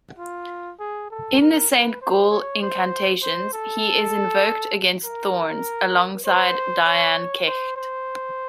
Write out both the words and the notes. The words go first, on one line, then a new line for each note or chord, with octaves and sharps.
In the Saint Gall incantations, he is invoked against thorns, alongside Dian Cecht.
F4
G#4
A4
A#4
B4
C5
C#5
C5
C5
A4
A#4
C5
C#5
C5
C5